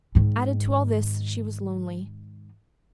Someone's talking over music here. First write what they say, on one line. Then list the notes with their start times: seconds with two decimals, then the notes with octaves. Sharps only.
Added to all this, she was lonely.
0.15 G#2 D#3